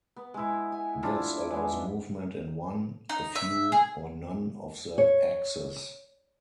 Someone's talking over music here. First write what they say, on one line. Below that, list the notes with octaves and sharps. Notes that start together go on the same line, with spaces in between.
This allows movement in one, a few, or none of the axes.
B3
G#3 E4
G#5
D4 E4 F4
G#3 B3
D#4
E5
G#4
C#5